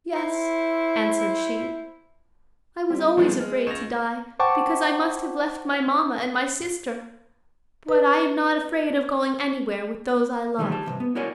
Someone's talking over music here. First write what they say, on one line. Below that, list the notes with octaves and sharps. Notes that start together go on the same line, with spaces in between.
"Yes," answered she, "I was always afraid to die; because I must have left my mamma, and my sister; but I am not afraid of going anywhere with those I love."
E4 C5
G3 C4
A#2 F3 G3 G#3 B3 D4
G#3 F6
C#2 D#5 C#6 A#6 E7 F7
C5 F#5 G5 A5 C#6 D6
B4
C3 D#3 E3 G3 G#3
G4 A5
D2 G2 C3
B3
E4 F#4 A#4 C#5 D5 G#5